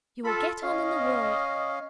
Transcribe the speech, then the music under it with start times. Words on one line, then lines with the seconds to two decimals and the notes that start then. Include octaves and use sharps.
You will get on in the world!
0.24 F4 A4 B5
0.62 C#4 D#5 F5